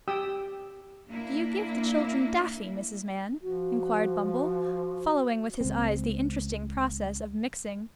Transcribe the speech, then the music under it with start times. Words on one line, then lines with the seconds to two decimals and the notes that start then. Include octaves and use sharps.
'Do you give the children Daffy, Mrs. Mann?' inquired Bumble, following with his eyes the interesting process of mixing.
0.08 G4 G5 D#6 E6
1.08 A#3 D4 E4
3.42 F3 F#4
5.61 C#2 C4